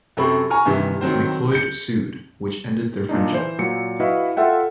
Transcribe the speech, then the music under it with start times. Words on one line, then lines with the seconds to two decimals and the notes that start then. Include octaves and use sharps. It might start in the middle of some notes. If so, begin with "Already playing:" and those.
McLeod sued, which ended their friendship.
0.17 F#2 C3 C4 A4 B5 C#6
0.50 G#5 A#5 C#6 F6
0.65 G2 C3 D#3 E3
1.01 D#3 F#3 C4 C5
1.52 G6 C#7
3.09 A#2 D4 D#4
3.32 E3 C5
3.58 A#2 F#3 C#7
4.00 E4 F#4 B4 D#5 F5 B5
4.37 F4 A4 E5 F#5 G5